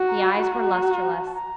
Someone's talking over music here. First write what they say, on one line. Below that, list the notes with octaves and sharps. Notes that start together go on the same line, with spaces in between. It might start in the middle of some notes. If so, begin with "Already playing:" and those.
The eyes were lustreless.
Already playing: F#4
A#5
B5
F#4 A#5
A5
A#5